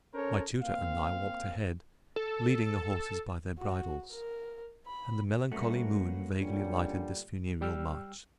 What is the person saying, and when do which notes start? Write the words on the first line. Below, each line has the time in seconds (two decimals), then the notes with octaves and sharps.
My tutor and I walked ahead, leading the horses by their bridles, and the melancholy moon vaguely lighted this funereal march.
0.14 C#4 A4 A#4 C5 C#5
0.61 A#3 C4 F5
2.16 A4
3.59 F#4
4.13 A#4
4.87 B5
5.52 G2 A3 A#3 C#4 F#4
6.41 A#2 D3 G3 C#4 D4
7.61 G3 G5 E6 F6